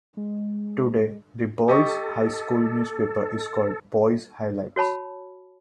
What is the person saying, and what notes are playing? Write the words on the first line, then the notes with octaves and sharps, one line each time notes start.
Today, the Boise High School Newspaper is called "Boise Highlights".
G#3
G4 A4 D#5 C#6
F#4 C#5 A5 B5